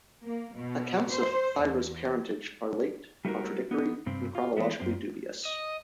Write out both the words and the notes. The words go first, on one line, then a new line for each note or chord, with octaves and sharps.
Accounts of Thyra's parentage are late, contradictory and chronologically dubious.
A#3
B2
C5
E2
G3 A3 C4 D#4 F#4 A#4
B3 D#4
G2 C3 C4
F4
E3 G#3 A3 B3
F#2 C4
D#5